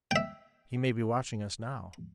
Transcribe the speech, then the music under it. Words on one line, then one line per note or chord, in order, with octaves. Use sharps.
"He may be watching us now."
E5 G5